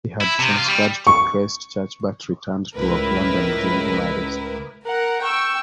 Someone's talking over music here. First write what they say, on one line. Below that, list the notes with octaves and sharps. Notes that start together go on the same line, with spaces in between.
He had transferred to Christchurch but returned to Auckland and joined Marist.
E4
C3
F4
G3
C#6
C#2 A2 E4 A#4 B4
A#4 F#5
G5 C#6 E6